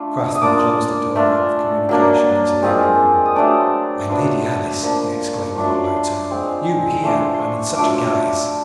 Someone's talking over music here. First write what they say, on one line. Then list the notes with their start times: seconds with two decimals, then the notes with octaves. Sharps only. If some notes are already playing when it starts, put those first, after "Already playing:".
The craftsman closed the door of communication into the inner room. "My Lady Alice," he exclaimed in a low tone, "you here, and in such a guise?"
Already playing: A3 D4 F4
0.35 D#6
0.41 A#3 D4 F4 D6
1.16 A3 D4 F4
1.89 F#3 A#3 D4
2.63 G#3 C4 F4
3.26 D#6
3.35 F#3 A3 D4 D6
4.09 F#3 B3 D4 F4
4.83 F3 A#3 D4
5.56 F#3 A3 D4 F4 C#6
5.70 C6
5.83 B5
5.96 C6
6.30 G#3 C4 F4
7.03 A3 D4 F4 C6
7.34 C6
7.40 C#6
7.76 F#3 A3 D4 F4 D6